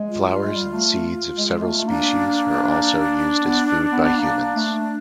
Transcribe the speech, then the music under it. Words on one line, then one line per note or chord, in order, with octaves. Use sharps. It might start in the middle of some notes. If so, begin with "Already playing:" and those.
Flowers and seeds of several species are also used as food by humans.
Already playing: G#3
F4
G3
G#3
G3
A3
G#3
A3
A3
A#3 D4
B3
B3
A#3
A3